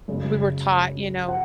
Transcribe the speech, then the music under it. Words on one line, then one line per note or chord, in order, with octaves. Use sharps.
we were taught, you know,
F#2 C#3 G#3
F#5